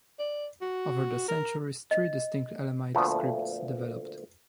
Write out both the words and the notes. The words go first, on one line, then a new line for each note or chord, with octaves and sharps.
Over the centuries, three distinct Elamite scripts developed.
D5
F#4
A#4
D#5
D2 A#2 F3 A3 B3